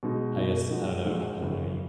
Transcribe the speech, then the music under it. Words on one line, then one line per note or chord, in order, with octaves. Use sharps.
I guess, I don't know I I don't know, you
B2 G#3 D#4
B2 G#3 D#4
A#2 F3 G#3 D#4 F#4
A#2 F3 G#3 D#4 F#4
G#1 F#2 C#3